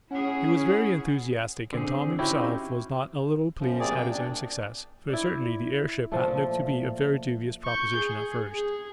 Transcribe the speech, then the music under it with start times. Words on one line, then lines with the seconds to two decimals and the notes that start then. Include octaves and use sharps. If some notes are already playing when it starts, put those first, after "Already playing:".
He was very enthusiastic, and Tom himself was not a little pleased at his own success, for certainly the airship had looked to be a very dubious proposition at first.
0.11 C#4 E4 G#4 F#5
1.73 D3 C4 G#4
2.19 C4 C#4 D#4 E4 F#4 G4
3.60 F#2 F3
3.80 F#2 C3 A#3 C4 G#4 D5
3.97 G5
4.11 A#2 D4
5.10 E4 D5
6.12 A#2 F3 A3
7.65 C#6 G6
7.97 G#4
8.53 G#4